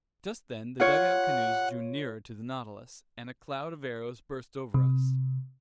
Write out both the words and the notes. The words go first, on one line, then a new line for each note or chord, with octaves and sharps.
Just then the dugout canoes drew nearer to the Nautilus, and a cloud of arrows burst over us.
F4 C#5 F#5
C3